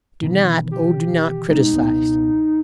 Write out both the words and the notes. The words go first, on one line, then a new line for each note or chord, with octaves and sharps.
Do not--oh, do not--criticise.
B2 D#3 E3
G4
B2 G#3 D#4
C#2 B2 B3